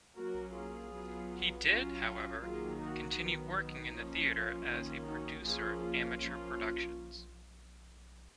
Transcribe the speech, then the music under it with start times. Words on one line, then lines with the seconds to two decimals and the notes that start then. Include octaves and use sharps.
He did, however, continue working in the theatre as a producer of amateur productions.
0.16 F#3 A#3 C#4 F#4 A#4
0.54 F4 G#4
0.92 F#3 B3
1.67 F#3 C#4 F4
2.42 D#3 F#3 A#3 F4 G#4
2.81 D#4 F#4
3.18 D#3 F#3 B3
3.56 D#4
3.94 F3 A#3 C#4
4.31 F4
4.69 D#3 A#3 C#4
5.06 D#4 F#4
5.44 F3 A#3 C#4 F4 G#4
5.82 F4
6.20 F3 A#3 C#4